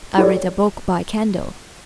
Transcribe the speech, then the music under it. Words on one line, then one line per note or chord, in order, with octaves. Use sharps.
I read a book by candle.
E4 G4 A4 C#5 D5